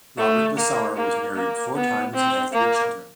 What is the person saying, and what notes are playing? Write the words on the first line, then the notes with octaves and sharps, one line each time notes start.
Robert Lissauer was married four times and had three children.
A3
A#3
A#3
A#3
B3
C4
A#3